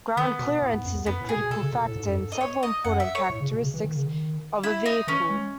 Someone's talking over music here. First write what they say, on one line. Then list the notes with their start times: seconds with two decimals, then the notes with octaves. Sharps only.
Ground clearance is a critical factor in several important characteristics of a vehicle.
0.17 D#3 B3
0.39 B2
0.62 A2
0.74 G#2
0.85 F#2
0.95 E2
1.06 F#2 B3
1.21 A2
1.29 G#4
1.36 B2
1.51 B2 A4
1.62 C#3
1.73 B2
1.85 A2
1.96 G#2
2.07 F#2
2.18 G#2
2.32 D#5
2.41 C#5
2.63 D#5
2.84 F#2 F#5
3.00 E5
3.15 C#5
3.30 A2
3.41 C#3
3.52 B2
3.62 C#3
3.74 E3
3.84 D#3
3.95 C#3
4.06 D#3
4.63 E4
4.86 D#4
5.07 E3 C#4
5.30 G#3